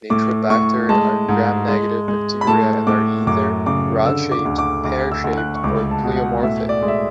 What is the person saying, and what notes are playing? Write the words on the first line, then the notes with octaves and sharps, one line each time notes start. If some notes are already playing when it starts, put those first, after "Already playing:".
"Nitrobacter" are gram-negative bacteria and are either rod-shaped, pear-shaped or pleomorphic.
A2 D6
A2 C#6
G#3 A5
G#2
G#3
G#3
B5
A2 A5
A2 D6
F#2 D6
C#3 D6
D3 E6
D6
D2
D6
D2 D6
E6
D2
F#6
C#6
C#2 D6
A5
B2
F#5
A2 E5
D5
G#3
E5